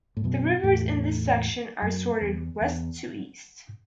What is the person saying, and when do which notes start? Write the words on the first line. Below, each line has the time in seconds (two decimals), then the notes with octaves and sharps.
The rivers in this section are sorted west to east.
0.17 A2
0.24 F#2 B2
0.63 E2 A2
1.82 F#2
2.21 E2
2.61 E2